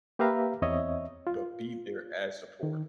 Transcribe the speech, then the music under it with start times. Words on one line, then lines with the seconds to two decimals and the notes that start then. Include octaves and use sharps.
but be there as support.
0.19 A#3 G4 B4 E5 F5 A#5
0.62 E2 C4 C#5 D#5 E5
1.27 F4
2.63 D#3